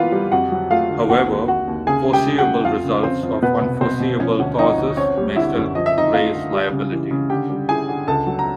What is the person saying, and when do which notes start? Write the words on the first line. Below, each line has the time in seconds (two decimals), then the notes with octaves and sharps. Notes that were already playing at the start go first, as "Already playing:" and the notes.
However, foreseeable results of unforeseeable causes may still raise liability.
Already playing: E3 A#3 B3 F4 B4 F5
0.12 G3
0.32 F2 F#4 F#5
0.52 F#3
0.71 A3 F4 F5
0.90 D3
1.09 D#2 F#4 F#5
1.29 D#2
1.48 D#2 F#4 F#5
1.68 D#2
1.87 C#3 G#4 G#5
2.06 C#3
2.13 G4 G5
2.26 C#3
2.38 F#4 F#5
2.45 A3
2.64 F2 F4 F5
2.84 C#3
3.03 F2 C4 C5
3.23 F2
3.42 B2 B3 B4
3.61 C2
3.81 B2 C4 C5
4.00 B2
4.20 F3 C#4 C#5
4.39 D2
4.59 F3 D#4 D#5
4.78 D2
4.97 C4 C#4 C#5
5.17 G3
5.36 D3 E4 E5
5.56 F#2
5.75 F3 D#5
5.86 E5
5.94 F3 D#4 D#5
6.14 A3 F4 F5
6.34 D3
6.52 G3
6.72 C#3
6.92 E3
7.11 C#3
7.30 D3 G4 G5
7.50 G3
7.69 E4 G#4 G#5
7.88 D3
8.08 C#2 A4 A5
8.27 F#3
8.39 A#5